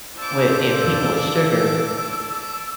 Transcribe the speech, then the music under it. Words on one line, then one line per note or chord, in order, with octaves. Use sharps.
wi if people with sugar,
D4 F4 C5 A5 D6 E6